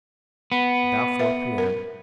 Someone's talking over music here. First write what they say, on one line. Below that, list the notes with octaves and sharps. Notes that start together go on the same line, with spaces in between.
About four p.m.
B3
B4 E5
A#4